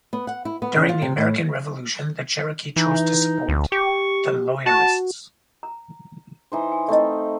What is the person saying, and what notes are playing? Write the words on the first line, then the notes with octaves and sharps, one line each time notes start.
During the American Revolution the Cherokee chose to support the loyalists.
B3
F#5
E4
B3
C#3
F4
C3
A2
E3 D#4
D2
G4 C#6
F#4 A5
A#5
E3 D#4 C5
G#5
A3 C4 D#4 D#5 E5